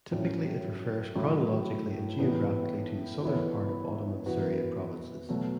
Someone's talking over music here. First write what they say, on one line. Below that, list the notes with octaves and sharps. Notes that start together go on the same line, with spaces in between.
Typically it refers chronologically and geographically to the southern part of Ottoman Syria provinces.
A2 F#3 C#4
A2 F#3 A3 E4
A2 E3 B3 D4
E3 B3 E4 A4 C#5
E3 B3 F#4 B4
B2 F#3 A3